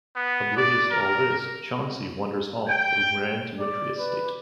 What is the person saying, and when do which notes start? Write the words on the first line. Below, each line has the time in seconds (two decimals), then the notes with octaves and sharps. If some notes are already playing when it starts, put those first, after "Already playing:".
Oblivious to all this, "Chauncey" wanders off through Rand's wintry estate.
0.16 B3
0.57 D5
0.91 A#4
2.67 G5
3.59 D5
4.00 B4